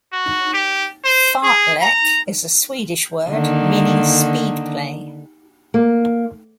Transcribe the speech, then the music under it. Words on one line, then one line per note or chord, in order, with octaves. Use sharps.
Fartlek is a Swedish word, meaning speed play.
F#4
G4
C5
G#4
A#5
D3 D#3 A#3
A#3